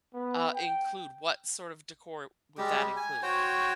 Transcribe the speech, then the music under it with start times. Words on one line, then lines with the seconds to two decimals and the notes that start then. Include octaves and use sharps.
uh, include? What sort of decor would that include?
0.14 B3
0.54 G5
2.58 G3 G#3 G4
2.96 G#5
3.22 F#4 C5 C#5 G5